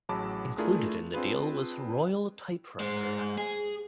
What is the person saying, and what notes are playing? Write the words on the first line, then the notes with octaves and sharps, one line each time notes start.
Included in the deal was Royal Typewriter.
A1 F#3 G#4 A5 B5 D6
A3 D4 E4 F4 G#4 A#4
C4 D4 F4 G#4 B4
G#3 C5
G#4